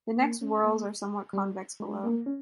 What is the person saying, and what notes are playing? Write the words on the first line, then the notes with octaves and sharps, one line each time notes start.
The next whorls are somewhat convex below.
A#3
C#4
A#3
G3
G#3
A#3
C#4